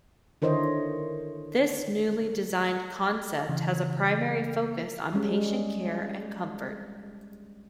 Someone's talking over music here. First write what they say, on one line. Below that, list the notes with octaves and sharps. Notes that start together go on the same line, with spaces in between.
This newly designed concept has a primary focus on patient care and comfort.
D3 D#3 E4 C5 C#5 D#5
C#3 E3
G3 G#3 C#4